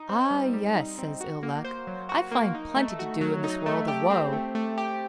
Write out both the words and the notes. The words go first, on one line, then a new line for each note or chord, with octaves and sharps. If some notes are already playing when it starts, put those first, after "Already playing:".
"Ah, yes," says Ill-Luck, "I find plenty to do in this world of woe."
Already playing: D#4
C4
G3
G3
D#4
C4
F#4
A#3
C5
F#3
F#4
A#3
D#4
A3
F#4
F#3
D#4
A3
G4
C4
A3
A3
G4